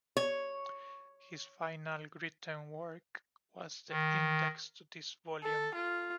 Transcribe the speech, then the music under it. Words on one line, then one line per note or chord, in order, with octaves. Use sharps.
His final written work was the index to this volume.
C#5
D#3
A4
F4